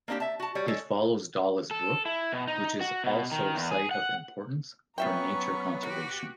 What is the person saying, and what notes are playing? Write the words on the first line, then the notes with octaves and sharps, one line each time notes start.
It follows Dollis Brook, which is also Site of Importance for Nature Conservation.
A#3 C4 D4 E4 G4
E5 A5
F#4 A5
G3 C#5
G#3 A4 C#5
A4
E4
B2
D#4
F#4
B2
D#3
E2
G#4
F#5
F#3 B3 C#4 F4 E5 G5 A#5 C#6
B2 F#4 G4